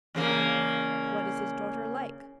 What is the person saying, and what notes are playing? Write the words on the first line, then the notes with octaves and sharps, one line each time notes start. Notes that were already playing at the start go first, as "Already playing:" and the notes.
"What is his daughter like?"
E2 C#3 A#3